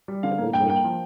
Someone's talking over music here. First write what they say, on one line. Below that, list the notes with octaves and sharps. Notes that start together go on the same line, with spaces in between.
that makes sense.
G3
D3 F5
A#3
G2 G5
A#3 G5
F3